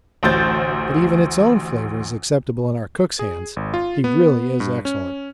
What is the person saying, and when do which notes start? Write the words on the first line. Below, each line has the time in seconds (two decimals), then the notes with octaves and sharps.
But even its own flavour is acceptable in our cook's hands--he really is excellent.
0.23 A1 D2 C5 G6 A6
3.19 G#4
3.56 G#1
3.74 F4
4.04 B3
4.60 G2
4.85 C#4